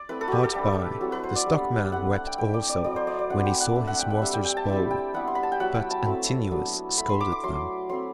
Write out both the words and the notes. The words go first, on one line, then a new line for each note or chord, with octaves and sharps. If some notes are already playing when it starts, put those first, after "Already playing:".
Hard by, the stockman wept also when he saw his master's bow, but Antinous scolded them.
Already playing: D5
A3 C4 E4 B4
A4
F#4 G4
A4
G3 D4 G4
F#3 C4 E4 F#4
B4
C5
D5
G3 B3 D4
A3 C4 E4 F#5
F#5
G5
A3 E4 G5
D5
D5
F#3 C4 E4 D5
C5
D5
D5
A3 C4 E4 F#5
G5
F#5
A3 D4 E5
F#5
G5
F#5
G3 D4 E5
G5
G5
A5
G3 C4 E4
G5
G3 B3 E4 F#5
C6
B5
A5
G5
F#3 B3 E4 F#5
G5
A5
F#3 A3 C4 E4
F#3 B3 D4
A3 E4 B5
C6
D6
D6
F#3 A3 E4 C6
F#3 A3 C4 E4 C6